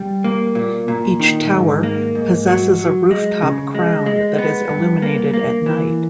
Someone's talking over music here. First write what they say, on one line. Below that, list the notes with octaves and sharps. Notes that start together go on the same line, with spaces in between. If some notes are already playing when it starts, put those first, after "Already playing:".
Each "tower" possesses a rooftop crown that is illuminated at night.
Already playing: G3
A#3
A#2
A#2
D#3
G#2
A#3
G#2
F#3
F#3
G#3
C#3
G#3
G#3
B3
G2
A#3
A#3
E3